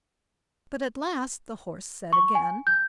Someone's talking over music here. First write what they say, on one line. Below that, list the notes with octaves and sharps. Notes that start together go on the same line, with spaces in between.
But at last, the Horse said again.
C#6
G#5
G6